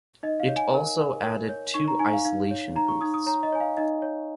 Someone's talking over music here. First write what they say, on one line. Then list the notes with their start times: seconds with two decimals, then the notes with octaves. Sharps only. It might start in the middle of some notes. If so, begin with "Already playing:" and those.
It also added two isolation booths.
0.23 D#4 D#5
0.40 F5
0.48 C#5
0.56 G#5
0.74 A#4
0.98 A#4
1.24 A#4
1.49 C#5
1.74 D#4 C#6
1.88 A#5
1.99 D#4 G#5
2.13 F5
2.25 D#4 F5
2.51 C#5
2.76 D#4 A#5
2.88 C#6
3.01 D#4 D#6
3.14 D#6
3.26 C#5 A#5
3.43 D#5
3.52 C#5 G#5
3.60 F5
3.77 D#4 D#5
4.02 C#5